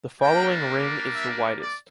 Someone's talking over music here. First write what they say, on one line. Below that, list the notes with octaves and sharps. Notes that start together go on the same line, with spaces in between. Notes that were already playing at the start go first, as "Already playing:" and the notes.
The following ring is the widest.
G3 A#3 D4 G5
E5
D5